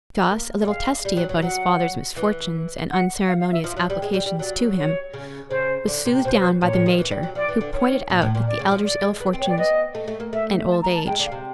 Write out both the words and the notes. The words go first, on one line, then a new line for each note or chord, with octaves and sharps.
Jos, a little testy about his father's misfortunes and unceremonious applications to him, was soothed down by the Major, who pointed out the elder's ill fortunes and old age.
A#3
G3
G#3 F5
G3
F#3
F#3
F#3 F#5
E3
F#5
F5
F5
E5
F3
F#3
G3
G#3
G3
G3
F#3 D5
C#5
C#3
C#3 C5
D3
C3
B2 C5
C#5
C5
A#2 C#5
A2
D#3
E3
G3
F#3
F3 D5
E3
D3
D#3 C#5
A#2
A2
A#2
D5
C#3
F3
D5
G#3
B3
C4
C#5
B3
D5
B3 D#5
A3
A3
A#3
A3 E5
A5
A#5
A5
G#3 G5
D3
F5
C3